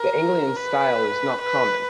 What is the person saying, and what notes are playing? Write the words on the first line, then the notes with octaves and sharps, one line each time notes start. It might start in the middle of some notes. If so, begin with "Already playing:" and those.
The Anglian style is not common.
Already playing: A#4
B4
B4